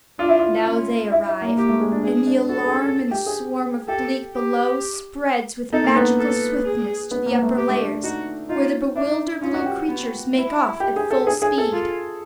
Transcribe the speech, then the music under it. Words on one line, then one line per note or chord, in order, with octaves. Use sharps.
Now they arrive, and the alarm in the swarm of bleak below spreads with magical swiftness to the upper layers, where the bewildered little creatures make off at full speed.
D4 F4
E4
F4
C#4
E4
E4
A#3
A#3 G4
A3
G#3
D4
D4 G#4
D4
F#4 A4
G#4
G4
G#4
G4 A4
G4
D#4 A4
A#3
B3
A4
G#4
B3
A#3
A3
G4
A3
D4
D4
D#4 F#4
D#4 F4
D4 E4
C#4 F4
F#4
G4
B3
E4
G4
G#4
A4
G#4
G#4
A4
F4